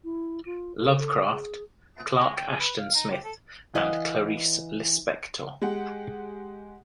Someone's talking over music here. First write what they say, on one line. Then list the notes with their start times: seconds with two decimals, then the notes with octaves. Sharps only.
Lovecraft, Clark Ashton Smith and Clarice Lispector.
0.04 E4
0.46 F4
0.77 A4
0.98 A4
1.31 G#4
2.17 G#3
2.36 G5
2.49 G#4
2.60 B4
2.79 F5
2.95 D#4
3.11 G4
3.24 A4
3.75 E3 B4 D#5 F5 F#5
5.62 G#3 G4 F#5